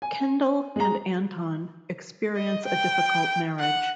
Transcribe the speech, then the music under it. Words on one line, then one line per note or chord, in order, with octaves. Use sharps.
Kendall and Anton experience a difficult marriage.
G#5
G#3 A#5
D#5
G5
F#5